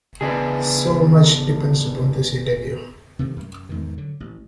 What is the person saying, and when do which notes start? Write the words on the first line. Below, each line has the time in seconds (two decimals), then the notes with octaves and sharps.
So much depends upon this interview.
0.21 C#3 E3 B3 D4 G#4 D#5
3.19 C3 D#3 A3
3.36 F#2
3.69 E2 G#2 D#3
3.98 D3 F#3
4.20 A1